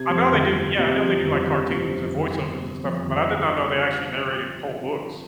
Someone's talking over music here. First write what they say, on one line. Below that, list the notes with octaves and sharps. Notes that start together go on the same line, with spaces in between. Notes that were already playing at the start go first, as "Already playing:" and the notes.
I know they do yeah, I know they do, like, cartoons and voice-overs and stuff, but I did not know they actually narrated whole books.
Already playing: C3 G#6
F2
G1
G1
C3
F2
G1
G1
C3
F2
G1
G1
C3
F2
G1
G1